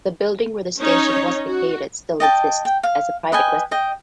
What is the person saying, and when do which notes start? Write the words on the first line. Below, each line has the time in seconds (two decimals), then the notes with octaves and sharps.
The building where the station was located still exists as a private residence.
0.81 C#4 D#4 C#5
1.47 F#4
2.20 D#5 G5 A5
2.65 G5
2.83 F5
3.32 B4 D#5 G5 G#5
3.71 D#5 G5